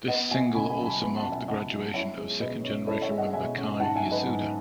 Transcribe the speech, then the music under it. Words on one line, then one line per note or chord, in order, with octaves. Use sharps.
This single also marked the graduation of second generation member Kei Yasuda.
B3 D#5 F#5
B2 E5 G#5
C#2 G#5 B5
G#5 B5
F#3 A5
G#5 B5
B3 G#5 B5
F#5 A5
B2
E5 G#5
C#2 D#5 F#5
F#3
E4 C#5 E5
G#3
B2 B4 D#5
C#4
E4 A4 C#5
C#5 E5
G#3
D#5 F#5
B2 E5 G#5
C#4
G#2 F#5 A5
E5 G#5
F#3
B4 D#5
G#2